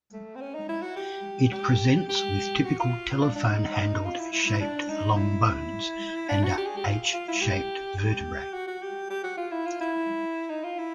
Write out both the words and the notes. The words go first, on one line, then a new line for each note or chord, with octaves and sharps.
It presents with typical telephone handled shaped long bones and a H-shaped vertebrae.
A3
C4
C#4
D#4
E4
F#4
G4
G4
G4
F#4
F4
D4
D4
D#4
F4
E4
E4
E4
D4
D#4
E4
D4
F#4
G4
G#4
G4
F4
F4
E4
G4
G4
F#4
F#4
G4
G4
F#4
F4
E4
F4
E4
D#4
F4
E4